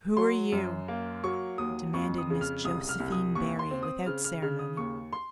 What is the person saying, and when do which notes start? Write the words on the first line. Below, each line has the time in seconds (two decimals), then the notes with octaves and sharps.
"Who are you?" demanded Miss Josephine Barry, without ceremony.
0.17 F#3 C6
0.52 F#2
0.88 A#3
1.23 F#3 C#6
1.58 D#2 D#6
1.94 F2 C#6
2.18 D#6
2.30 C#3
2.41 F6
2.64 C2 D#6
2.89 F6
3.00 C2
3.12 D#6
3.35 D#2 C#6
3.59 C6
3.71 C4
3.83 D#6
4.06 C#3 F6
4.24 F6
4.42 C#3 F6
4.59 D#6
4.77 D#2 C#6
5.13 C6